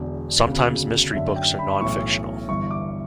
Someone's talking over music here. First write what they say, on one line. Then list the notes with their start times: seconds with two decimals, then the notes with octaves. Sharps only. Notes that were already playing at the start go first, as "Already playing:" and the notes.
Sometimes mystery books are nonfictional.
Already playing: E1 E2 D3
0.45 E1 D2 C#3
1.13 F#1 F#2 D3 E5
1.36 G5
1.59 B5
1.81 B1 A2 E3 C#6
2.49 G1 G2 E3 C#6
2.71 D6